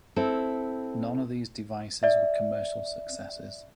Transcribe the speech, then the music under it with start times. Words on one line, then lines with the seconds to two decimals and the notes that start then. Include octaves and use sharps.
None of these devices were commercial successes.
0.16 C4 E4 A4
2.03 D5 E5